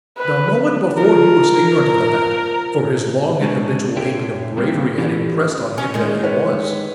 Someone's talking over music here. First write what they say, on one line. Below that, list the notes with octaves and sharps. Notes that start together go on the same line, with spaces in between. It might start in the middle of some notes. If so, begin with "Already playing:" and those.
The moment before he was ignorant of the fact, for his long and habitual aping of bravery had impressed on him that he was.
B4
F3 A#4
G#3 A3 D4 F#4 F5 G#5
A#2 D3 C#5 E5 G5
G3 A3 A#3 C4 F4
E3 C#4 D4 E4 G4 A4
C#4
D#3 G#3
B4 C#5